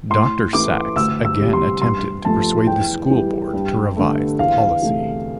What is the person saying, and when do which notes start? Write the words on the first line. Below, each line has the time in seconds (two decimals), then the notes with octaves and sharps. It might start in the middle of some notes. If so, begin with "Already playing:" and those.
Doctor Saxe again attempted to persuade the School Board to revise the policy.
0.10 A2 C6
0.53 E3 A3 D6
0.96 D2 E6
1.25 E6
1.39 C3 G3
1.53 C6
1.82 G2 C6
2.25 F3 A3 A5
2.67 E2 G5
3.11 E3 G3
3.53 G2
3.97 D3 A3
4.39 E2 F5
4.82 C3 E3 A3